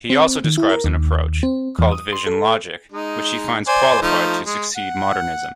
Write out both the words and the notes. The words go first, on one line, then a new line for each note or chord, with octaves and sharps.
He also describes an approach, called vision-logic, which he finds qualified to succeed modernism.
C4
D#3
E4
A#4
D#2
C4
E2
D#6
C6
A4
G#3 D#4
C5 D5 G#5
F3 A3 D#4
G#3
F#5